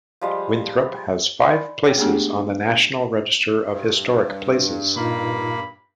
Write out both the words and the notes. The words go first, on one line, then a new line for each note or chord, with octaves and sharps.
Winthrop has five places on the National Register of Historic Places.
F3 G3 G#3
D5 G#5 B5 C6
G#4 C#5 G5
G#3 A3 B3 D4 G4 G#4
G2
A#2 A#3 D#4 F4 B5